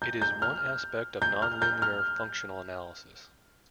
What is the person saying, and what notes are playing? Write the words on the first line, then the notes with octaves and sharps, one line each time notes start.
It is one aspect of nonlinear functional analysis.
G6
G6
F6
G6
F6
G6
F6